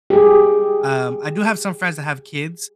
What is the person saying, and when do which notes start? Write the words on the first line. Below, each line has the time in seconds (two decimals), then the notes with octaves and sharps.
um, I do have some friends that have kids,
0.10 G4 G#4